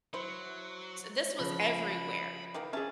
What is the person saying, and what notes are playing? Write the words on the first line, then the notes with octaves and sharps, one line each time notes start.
so this was everywhere.
F#3 E4 C5
C#3 F3 B5
D#3 E3 A#3
C#4 G#4 E5 A5